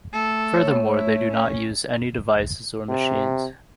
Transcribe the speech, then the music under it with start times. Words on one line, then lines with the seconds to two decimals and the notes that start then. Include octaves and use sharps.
Furthermore, they do not use any devices or machines.
0.13 A3 A4
0.54 C#5
0.94 E4
1.31 C#4
2.89 C3